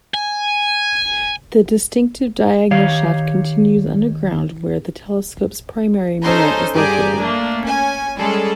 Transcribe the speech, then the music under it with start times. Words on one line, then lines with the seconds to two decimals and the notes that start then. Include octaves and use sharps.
The distinctive diagonal shaft continues underground, where the telescope's primary mirror is located.
0.14 G#5
2.71 D#3 G4 C#5 F5
6.22 C#4 D#4 A4 C5 A#5 C6
6.74 G2 G4 G#4 D5 G#5 A#5
7.19 A3 A#3 D4
7.63 C#4 G#5
8.17 G3 G#3 C#4 G#4 A4